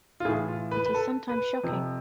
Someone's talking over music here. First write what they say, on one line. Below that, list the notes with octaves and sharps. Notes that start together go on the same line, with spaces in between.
It is sometimes shocking.
F4
A2 E3 G#4
F4
B4
B4
A4
B4
F2 C3 F3